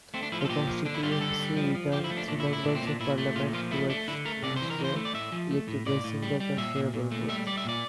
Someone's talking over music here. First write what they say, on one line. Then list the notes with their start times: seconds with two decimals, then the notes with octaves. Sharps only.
The constituency returned three Members of Parliament to Westminster, elected by Single Transferable Vote.
0.14 A3 C4
0.23 D4
0.32 F3 E4
0.41 F4
0.45 A4
0.49 A#2 G4
0.67 F3
0.85 D3 D4
0.94 E4
1.03 G3 F4
1.12 G4
1.21 D3 A4
1.39 G3
1.57 F3
1.75 F3
1.92 F3 G4
2.04 E4
2.10 A3
2.17 D4
2.28 A#2 D4
2.40 E4
2.46 A3
2.53 E4
2.63 A#2 D4
2.75 C4
2.82 A#2 D4
3.00 A#2 E4
3.18 A3
3.36 A#2 F4
3.53 F3 F4
3.71 A3 E4
3.90 A3 D4
4.08 D3 E4
4.25 A3 A#4
4.43 C3 D5
4.56 C5
4.62 E3
4.70 A#4
4.79 E3
4.84 C5
4.96 A3
5.05 D5
5.14 A2 E5
5.32 F3
5.51 A3
5.68 A2
5.86 A2 D5
6.04 A2
6.22 G3
6.40 G3
6.57 A#2 E5
6.75 A#2
6.94 A#2
7.12 A3
7.29 G3 E5
7.47 G3 D5
7.58 E5
7.65 A#2 D5